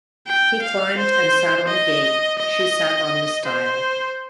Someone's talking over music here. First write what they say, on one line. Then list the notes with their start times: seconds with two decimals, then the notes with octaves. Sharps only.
He climbed and sat on a gate, she sat on the stile.
0.27 G5
0.63 F5
0.98 C5
1.68 D#5
2.39 D#5
3.45 C5